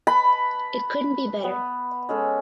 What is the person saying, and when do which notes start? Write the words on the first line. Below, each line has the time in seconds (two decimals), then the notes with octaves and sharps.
It couldn’t be better.
0.07 B4 A5 B5
1.44 B3
2.09 G#3 C#4 A4